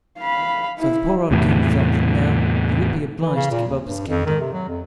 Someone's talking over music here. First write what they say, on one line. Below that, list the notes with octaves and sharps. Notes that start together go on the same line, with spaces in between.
So the poor old King felt that now he would be obliged to give up his kingdom.
F5 B5
E4
E2 A2 C3
E3
C#3
A#2
D#2
G2
F2
D#3
C3
F#3
F2